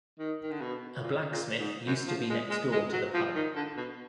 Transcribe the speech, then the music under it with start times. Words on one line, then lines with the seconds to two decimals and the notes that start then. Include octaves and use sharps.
A blacksmith used to be next door to the pub.
0.19 D#3
0.42 D#3
0.51 D3
0.61 B2
1.02 A#2
1.31 A#2
1.59 G#2
1.87 F#2
2.08 F3
2.30 G#3
2.50 G#3
2.72 G#3
2.93 F#3
3.14 F3
3.35 D#3
3.56 D3
3.77 B2